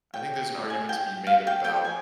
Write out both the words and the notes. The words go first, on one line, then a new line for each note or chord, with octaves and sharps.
I think there's an argument to be made about,
G5
G#5
G5
F5
G5
G5
G#5